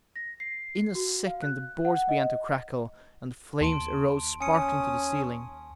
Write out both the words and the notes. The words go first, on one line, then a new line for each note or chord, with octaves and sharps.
In a second the boards began to crackle, and the flames arose sparkling to the ceiling.
A#6
C7
F#4
F5
F#6
F#5
D#5
D#2 A5 C6 D7
C#4 G#5 D#6 C#7